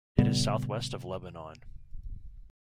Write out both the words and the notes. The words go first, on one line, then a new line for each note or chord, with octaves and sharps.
It is southwest of Lebanon.
A#2 C#3 G3 B3